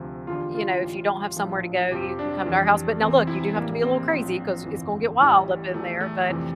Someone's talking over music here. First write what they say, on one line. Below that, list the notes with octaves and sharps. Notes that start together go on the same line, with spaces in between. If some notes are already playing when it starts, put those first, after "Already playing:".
you know, if you don't have somewhere to go, you can come to our house, but now, look, you do have to be a little crazy 'cause it's gon' get wild up in there, but,
Already playing: D2 C3 F3
E2 D3 G3 F4
F4
A1 A2 G3
A#1 A2 F3
F2 C3 F3 G4
D4
F2 E3 G3
E2 C3 E3 C4
E4
A#1 A2 E3 G3 A#3
C4
A#1 A2 F3
G1 F2 E3
A1 A2 E3 G3
E2 E3 G3 A3
A3
F2 C3 E3 G3